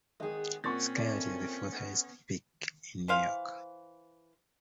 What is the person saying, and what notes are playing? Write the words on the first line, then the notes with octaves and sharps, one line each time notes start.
Skylight is the fourth highest peak in New York.
G#1 B3 G#4 D#5 G5
A#2 C4 C#4 F#5 C#6 A6
A3 D5
B3
E3 C5 F5